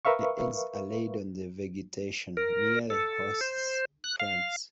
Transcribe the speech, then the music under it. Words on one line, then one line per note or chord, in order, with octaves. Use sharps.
The eggs are laid on the vegetation, near the host plants.
A#4 B4 E5 F5 C#6
A#4
A4
C5
F#6
F5